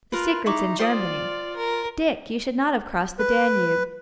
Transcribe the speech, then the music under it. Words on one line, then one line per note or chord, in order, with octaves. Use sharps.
The secret's in Germany. Dick, you should not have crossed the Danube.'
F4 A#4 B4
D#4 E4 C#6 D6
F4 C5 D5 G5 D#6
A#4
B4